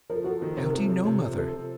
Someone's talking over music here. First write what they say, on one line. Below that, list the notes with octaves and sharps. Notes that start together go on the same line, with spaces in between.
"How do you know, mother?"
F3 A#4
A4
F3 F#4
A4
D#3
C3
A#4
F3 A4
F3
C3
F3
C4 A4
F3